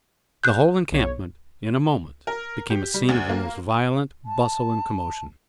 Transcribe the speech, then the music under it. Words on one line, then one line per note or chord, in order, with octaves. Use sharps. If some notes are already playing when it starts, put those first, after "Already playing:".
The whole encampment, in a moment, became a scene of the most violent bustle and commotion.
F#6 G6
B1 C#5
A#4
G4
G3
D2
A#3
A5